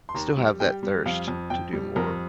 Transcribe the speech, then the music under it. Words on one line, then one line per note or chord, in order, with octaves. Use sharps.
still have that thirst to do more.
C6
D#2 A#5
G3
G3 G5
G3
F2 F5
F2
F2 G5
G3
F2 A#4